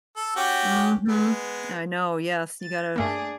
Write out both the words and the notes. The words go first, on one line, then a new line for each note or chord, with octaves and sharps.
Mhm, I know, yes, you gotta
A4
C#4 F#4 G4
G#3 B3
A6
G2 A3 A#3 D4 G#4 D5